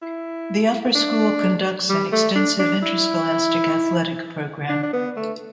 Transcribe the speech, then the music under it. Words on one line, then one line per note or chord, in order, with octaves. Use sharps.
The Upper School conducts an extensive interscholastic athletic program.
E4
D4
G3
A3
D4
D4
E4
D4
D4
B3
A3